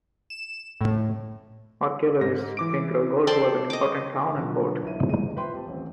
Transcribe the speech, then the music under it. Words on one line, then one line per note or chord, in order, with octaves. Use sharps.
Archaeologists think Rungholt was an important town and port.
E7
A2
G#2 A#6
E3 D6 D7
A4 C5 D5 G5 C6
D#5 D6
B2 D3 F3 F#3 A#3
B1 E4 D#7
D#2 E3 G#3 D#7
F4 B4 C5 E5 G5 C6
C4 G4 A5
D#1 A1 C4